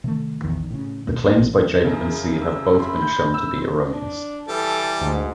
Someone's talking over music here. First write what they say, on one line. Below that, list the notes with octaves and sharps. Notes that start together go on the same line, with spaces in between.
The claims by Jacob and See have both been shown to be erroneous.
C3 D#3 A3
A#1 E2 D#3
A2 C#3
D#2 B2 A#3
D#2 A#3
A1 C3
F#2 C#3
E6
E5 B5 C6
G6
E6
D4
E3 G3 A4 A5
D2 G#2